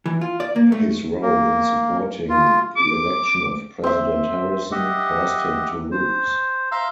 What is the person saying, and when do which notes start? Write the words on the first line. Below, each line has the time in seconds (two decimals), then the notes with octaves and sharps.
His role in supporting the election of President Harrison caused him to lose.
0.06 E3
0.21 F4
0.40 D5
0.56 A#3
0.72 A3
1.22 A#3
2.29 F4
2.76 D6
3.84 C4 E5
4.72 G4 D#5 E5 F#5
5.91 C5
6.72 E5 F5 A#5 C6 E6